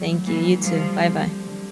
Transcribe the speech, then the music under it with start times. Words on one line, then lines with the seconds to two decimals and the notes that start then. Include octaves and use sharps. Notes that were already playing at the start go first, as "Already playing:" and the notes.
Thank you, you too. Bye-bye.
Already playing: F#3 D4
0.10 A2
0.26 E3 A#3
0.44 D4
0.61 F3 G3
0.79 D3
0.96 C4
1.13 D3
1.30 G3
1.48 D3